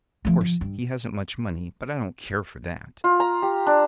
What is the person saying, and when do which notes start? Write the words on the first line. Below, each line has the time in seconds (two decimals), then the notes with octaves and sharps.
Of course he hasn't much money, but I don't care for that.
0.25 F3 A3
0.41 F3
0.61 G2
3.04 F4
3.20 A#5
3.42 G4
3.67 D4